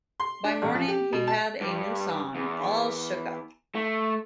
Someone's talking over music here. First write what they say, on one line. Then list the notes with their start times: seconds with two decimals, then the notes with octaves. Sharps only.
By morning, he had a new song, 'All Shook Up'.
0.20 C6
0.44 D4
0.62 A1
0.75 F3
0.88 G4
1.13 B2
1.27 A5
1.61 G2
2.35 E2
3.75 A3